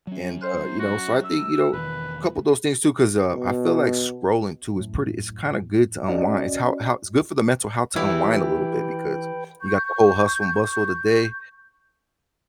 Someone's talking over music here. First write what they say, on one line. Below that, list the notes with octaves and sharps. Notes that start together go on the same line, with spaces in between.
And, uh, you know, so I think, you know, a couple of those things too, 'cause, uh, I feel like scrolling too is pretty it's kinda good to unwind, it's how how it's good for the mental health to unwind a little bit, because you got the whole hustle and bustle of the day,
F#3 C#4
C5
F#4
E6
E1 D#3 B4
B2
F#2 A2
C#4 F#4 D5 D#5
E3 E4 G4 B4 G5
C#6 G6